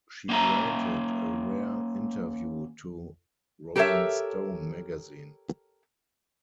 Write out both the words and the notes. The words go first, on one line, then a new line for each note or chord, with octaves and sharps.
She granted a rare interview to "Rolling Stone" magazine.
A#3 C#4 D#5 E5 A#5
G4 A4 A#4 C5 C#5 E5